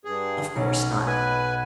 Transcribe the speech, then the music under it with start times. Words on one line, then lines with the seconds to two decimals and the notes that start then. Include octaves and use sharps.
Of course not!
0.05 G2 G#4
0.56 B1 C#4
1.07 B4 D#5 F#5 G#5 B6